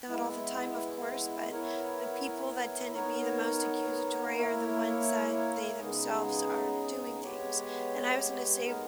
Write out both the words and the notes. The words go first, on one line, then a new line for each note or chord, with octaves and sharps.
not all the time, of course, but the people that tend to be the most accusatory are the ones that they themselves are doing things, and I was gonna say
G#3 B3 E4
B3 E4 A#4 C#5
B3 D#4 A#4 C#5
A#3 E4 A#4 C#5
C#3 G#3 B3 D#4 G#4
G#3 B3 G4 C#5
G#3 B3 D#4 A#4